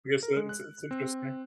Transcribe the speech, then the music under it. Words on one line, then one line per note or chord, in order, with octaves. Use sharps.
I guess it's it's interesting.
A#4
G#3
F#6
C4